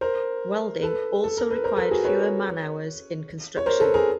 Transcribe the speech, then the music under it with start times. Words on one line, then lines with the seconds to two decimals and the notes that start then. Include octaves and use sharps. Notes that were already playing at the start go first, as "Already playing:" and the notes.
Welding also required fewer man-hours in construction.
0.01 A#4 C5
0.82 A4 B4
1.24 A4
1.37 A#4
1.50 B4
1.64 A#4 C5
1.77 A4 B4
1.91 F#4 G#4
2.04 B4 C#5
3.57 C#5
3.66 A#4 C5
3.80 A4 B4
3.94 G#4 A#4